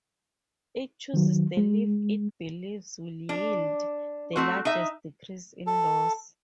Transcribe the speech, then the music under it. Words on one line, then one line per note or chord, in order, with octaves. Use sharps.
It chooses the leaf it believes will yield the largest decrease in loss.
D#3 F#3
G#3
D4
A3 C4 F#4
D#4 E5
A4